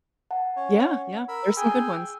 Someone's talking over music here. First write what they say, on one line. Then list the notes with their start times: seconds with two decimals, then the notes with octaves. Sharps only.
Yeah. Yeah. There's some good ones.
0.31 F#5 A5
0.56 C#4 C#5
1.28 A#4 B5 E6
1.57 G#4 G5 G#5 E6